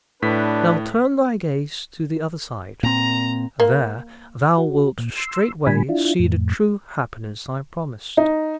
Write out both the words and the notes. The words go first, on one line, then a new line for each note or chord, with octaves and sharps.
Now turn thy gaze to the other side; there thou wilt straightway see the true happiness I promised.'
A2 D4 B4 B6
A#2 C4 A#5
A#3
F#4
A#2
C6 E6
A2 D3 G3 G#5 B5
D4 E4 F4
F2 A2
D#4